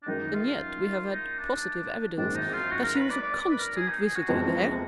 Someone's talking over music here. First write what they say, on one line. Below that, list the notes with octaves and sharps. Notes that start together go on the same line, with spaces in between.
"And yet we have had positive evidence that he was a constant visitor there."
D4
F#2 D#3 G#3 D#4
F4
D#4
D4
G#1 F#2 D#3 G#3 D4
D#4
F4
F#4
A#4
B4
D5
D5
D5
B4
A#4
G#4
D#4
G#4
F#4
F#1 F2 F3 G#3 B3